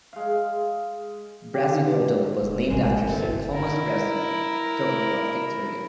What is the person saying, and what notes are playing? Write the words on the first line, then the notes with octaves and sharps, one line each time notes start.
Brassey Hotel was named after Sir Thomas Brassey, Governor of Victoria.
G#3 F5
G4
G2
D#1
A#1 G#3 A#3 B3
G1 C4 E4 A4
E4 A#4